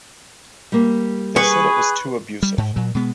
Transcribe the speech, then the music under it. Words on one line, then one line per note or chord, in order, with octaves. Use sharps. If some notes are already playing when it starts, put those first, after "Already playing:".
They said it was too abusive.
G3 A#3
G#4 B4 C#6
G3
G#2
A#2 F#3
B2 G#3 B3